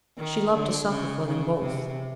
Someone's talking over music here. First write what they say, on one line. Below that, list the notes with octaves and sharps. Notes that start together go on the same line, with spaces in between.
She loved to suffer for them both.
D#3
D3
C#3
C#3
C3